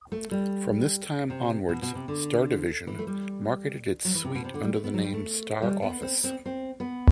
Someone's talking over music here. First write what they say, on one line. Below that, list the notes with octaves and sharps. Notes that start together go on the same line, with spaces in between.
From this time onwards StarDivision marketed its suite under the name StarOffice.
A3
G3
C3
B2
B2
C3
D3
E3
A3
G3
F#3
E3
C3
B2
C3
D3
G3
A3
B3
F#3
G3
A3
G3
B3
C4
C4
C4
B3